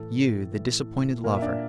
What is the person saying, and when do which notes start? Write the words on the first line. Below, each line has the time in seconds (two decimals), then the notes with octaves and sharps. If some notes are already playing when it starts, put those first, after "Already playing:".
'You, the disappointed lover?
Already playing: A2 E3 A4
0.52 A2 E3
1.24 A#2 A#3 A#4
1.36 E5
1.42 D4 D5